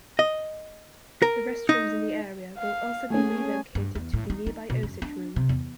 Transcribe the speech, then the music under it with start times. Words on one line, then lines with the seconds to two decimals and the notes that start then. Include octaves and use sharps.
The restrooms in the area will also be relocated to the nearby Osage room.
0.19 D#5
1.22 A#4
1.69 D#4
2.58 F5
3.10 A3 C#4 G#4 G#5
3.75 G2
3.95 E2
4.13 A2
4.30 D#4
4.47 D#4
4.70 B2
4.83 F#2
5.02 D4
5.36 C3
5.49 E2